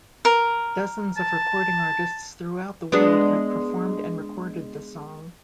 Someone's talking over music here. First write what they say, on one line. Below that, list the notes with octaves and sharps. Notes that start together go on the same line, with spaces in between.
Dozens of recording artists throughout the world have performed and recorded the song.
A#4
A5
G#3 B3 D4